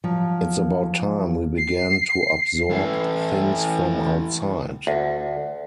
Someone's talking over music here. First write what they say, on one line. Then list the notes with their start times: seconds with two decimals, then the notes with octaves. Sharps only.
It's about time we began to absorb things from outside.
0.04 F3 F#3
1.58 C7
2.70 E3 A3
4.87 D2